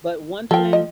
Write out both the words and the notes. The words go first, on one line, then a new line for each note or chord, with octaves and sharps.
But one thing
F3 A4 G5
D#5